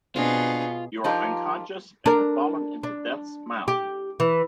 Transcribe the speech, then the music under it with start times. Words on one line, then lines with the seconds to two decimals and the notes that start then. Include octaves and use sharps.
You are unconscious, and have fallen into Death's mouth.
0.16 B2 C4 D4 F4 G#4
1.04 F3 D#4 F4 G4 A#4
2.06 D4 A#4
2.83 D4
3.68 G4
4.20 E3